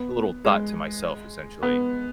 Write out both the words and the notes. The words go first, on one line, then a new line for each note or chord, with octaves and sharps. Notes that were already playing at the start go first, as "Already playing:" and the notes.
a little thought to myself, essentially.
Already playing: B3
G#3
B3